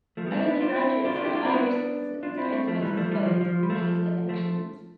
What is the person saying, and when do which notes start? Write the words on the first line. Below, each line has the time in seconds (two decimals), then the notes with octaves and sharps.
Only graduates who are Irish citizens are entitled to vote in these elections.
0.17 F3 A3
0.27 G3 B3
0.36 A3 C4
0.47 B3 D4
0.61 D4 F4
0.76 C4 E4
1.05 D4 F4
1.16 D4 F4
1.24 E4 G4
1.35 D4 F4
1.45 C4 E4
1.54 B3 D4
2.23 D4 F4
2.38 C4 E4
2.52 A3 C4
2.67 F3 A3
2.82 E3 G3
2.97 F3 A3
3.11 E3 G3
3.26 F3
3.41 F3
3.63 G3
3.70 F3 A3
4.29 F3 A3